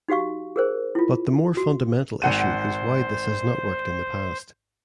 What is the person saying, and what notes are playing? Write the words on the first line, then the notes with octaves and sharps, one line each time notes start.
But the more fundamental issue is why this has not worked in the past.
D#4 F#4 G4 F5 C#6
G#4 A#4 C5
E4 F4
F#4
G#1 C5 F#5 D#7